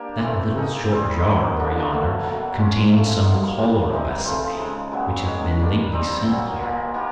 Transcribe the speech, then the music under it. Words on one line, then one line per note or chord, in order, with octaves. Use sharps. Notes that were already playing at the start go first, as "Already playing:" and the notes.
That little short jar over yonder contains some cholera bacilli, which have been lately sent here.
Already playing: A#3 D4 G4
E3 A3 C4
A#3 D#4 G#4
G3 C4 F4 G#4
F#3 A#3 C#4
D3 F3 A#3 D4
B2 F#3 A3
B2 F#3 A#3
G#3 C#4 F4 A#4
C3 F3 A3
F#3 A#3 D#4
G3 A#3 D4 F4
E3 G3 C4 D#4
F3 A3 C4 F4
C#3 F3 G#3
A#2 F#3 B3
D#3 G#3 C#4
G3 A#3 D4
G3 C4 D#4
A#2 F#3 A#3
A#2 F3 A#3
A#3 D#4 G4